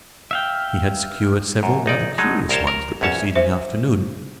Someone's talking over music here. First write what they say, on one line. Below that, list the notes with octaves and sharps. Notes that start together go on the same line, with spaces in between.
He had secured several rather curious ones the preceding afternoon.
E5 F5 G5
F#2
A#1 D#4 D5
B2 F#3 G#3 D#4
C2 A#4 C5 C#5 A5
A#4
A#1 E2 C#4 C#5 A5
C5 E5